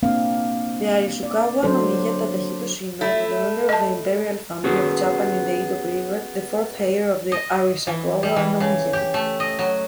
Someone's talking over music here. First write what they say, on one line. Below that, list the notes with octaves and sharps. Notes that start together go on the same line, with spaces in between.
The Arisugawa-no-miya Tadahito Shinnō was a member of the Imperial Family of Japan in the Edo period, the fourth heir of the Arisugawa-no-miya.
A#3 C4 D4 F5
D5
F#3 D4 A4 C5
A3 E4
D#5 A5
B3 C#4 F#4 G#4
D#5
E3
G3
E3
C#3
G4
A3
D#5
F#3